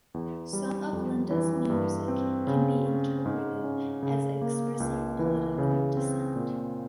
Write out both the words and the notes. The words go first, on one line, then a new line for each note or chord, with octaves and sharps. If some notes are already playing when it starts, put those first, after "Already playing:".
Some of Linda's music can be interpreted as expressing political dissent.
E2
G3
F2
E3
G2
C4
C#3
C#4
G#2
C#4
C#3
A#3
C#2
E3
C#3
C4
A#2